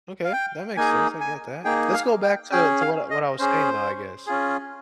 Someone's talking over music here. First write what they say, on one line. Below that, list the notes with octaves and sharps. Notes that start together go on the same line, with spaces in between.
Okay, that makes sense, I get that. Let's go back to to what what I was saying, though, I guess.
F5
G5
A#3 D#4 G#4 G#5
G#5
A#3 D#4 G#4 G5
F5
G5
C#4 G#4 G5
F5
D#5
C#4 G#4 C5
C#4 F4 G#4